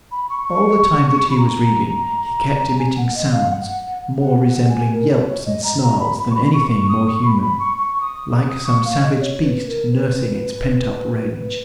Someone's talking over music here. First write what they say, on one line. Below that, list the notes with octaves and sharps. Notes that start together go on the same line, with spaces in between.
All the time that he was reading he kept emitting sounds, more resembling yelps and snarls than anything more human,--like some savage beast nursing its pent-up rage.
B5
C#6
C#6
B5
A#5
G#5
F#5
D#5
F5
F#5
F#5
F#5
G#5
A#4
B4
C#5
D#5
A#5
A#5
B5
B5
C#6
B5
C#6
C#6
D#6
C#6
B5
B5
C#6
C#6
D#6
D#6
C#6
F5
D#5
C#5
B4
A#4
B4
B4